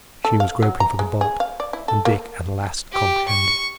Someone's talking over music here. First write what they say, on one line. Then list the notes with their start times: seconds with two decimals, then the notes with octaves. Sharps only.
She was groping for the bolt, when Dick at last comprehended.
0.25 A4
0.40 F5
0.62 F#3
0.80 A#5
0.99 G#3
1.21 G#4
1.40 F5
1.60 D5
1.73 E4
1.88 A4
2.05 A#3
2.92 G4
3.28 C#6